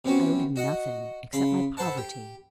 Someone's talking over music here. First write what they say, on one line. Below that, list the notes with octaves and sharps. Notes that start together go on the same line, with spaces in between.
I owed him nothing, except my poverty.
C3 B3 C#4 F#4
F#4 D#5 F#5
C#3 B5 C6
A4 B4 C5 F#5 A5
G4